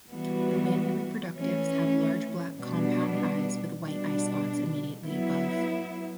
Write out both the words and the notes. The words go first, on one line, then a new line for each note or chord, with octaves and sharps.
The winged reproductives have large black compound eyes with white eyespots immediately above.
E3 G3 B3 F#4
E3 A3 C#4
B2 G3 B3 D4
B2 G3 D4
F#3 B3 E4